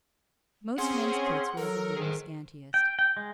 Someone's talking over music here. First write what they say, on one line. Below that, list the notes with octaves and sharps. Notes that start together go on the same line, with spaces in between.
Most men's kits were of the very scantiest.
C4 C#4 G#4 F#5 C6
C#5
F#3 A4 A#4
D#3 G#4 C5
G5
G5
G#3